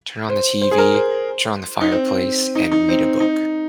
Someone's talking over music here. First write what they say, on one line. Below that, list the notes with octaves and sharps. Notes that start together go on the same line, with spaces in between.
turn on the TV, turn on the fireplace, and read a book.
C5
C5
G#4
A#4
C5
D#4
C4
D#4
D#4
C4
D#4